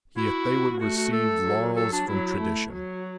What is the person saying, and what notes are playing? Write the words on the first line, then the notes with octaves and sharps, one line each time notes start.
Yet they would receive laurels from tradition.
E4 F#4
A3 F#4
F#4
A4
F#3
A4
D4
F#3 E4
A3
F#3